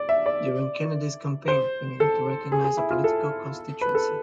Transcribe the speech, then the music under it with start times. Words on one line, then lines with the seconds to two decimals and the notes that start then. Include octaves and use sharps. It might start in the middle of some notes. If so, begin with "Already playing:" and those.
During Kennedy's campaign, he needed to recognize a political constituency.
Already playing: D5
0.09 E5
0.26 D5
1.48 C5
2.00 A4
2.52 G#4
2.64 G#4
2.77 E4
2.90 F4
3.04 A4
3.81 B4
3.95 A4